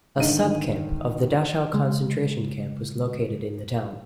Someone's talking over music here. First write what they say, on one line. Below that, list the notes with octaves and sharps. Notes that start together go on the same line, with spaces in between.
A subcamp of the Dachau concentration camp was located in the town.
G#2 D3 D#3 D#7
C#3 G#3